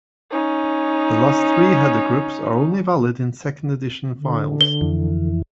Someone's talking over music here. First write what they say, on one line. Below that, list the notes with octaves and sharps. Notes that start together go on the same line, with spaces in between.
The last three header groups are only valid in second edition files.
C#4 D#4
D3
G7
F2 E3